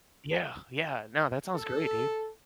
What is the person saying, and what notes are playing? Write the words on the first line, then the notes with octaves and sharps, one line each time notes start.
Yeah. Yeah. Now, that sounds great, dude.
A4